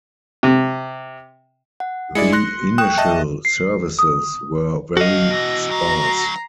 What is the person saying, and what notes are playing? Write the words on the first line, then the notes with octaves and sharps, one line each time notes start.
The initial services were very sparse.
C3
F#5
G#3 E4 D5 C#7
C6 F#6 A#6
G5 C#6 D#6 F#6 E7
D#5 E5 A5
C7
D#6
F#4 A4 D#5 F5
B2 E3 A#6
D2 F#3 A#5 C7